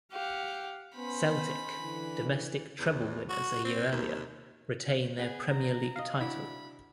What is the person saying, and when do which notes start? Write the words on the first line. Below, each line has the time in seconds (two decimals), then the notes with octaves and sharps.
Celtic, domestic treble winners a year earlier, retain their Premier League title.
0.12 G4 F5 F#5
0.96 B3 C#4 C5 B5
1.82 D3 E3
2.79 E2
3.29 F#4
3.65 C4
3.92 D#2
5.19 B3 G#4
5.51 A#5
5.96 D#5 F5
6.21 D4 E4 F#4 B5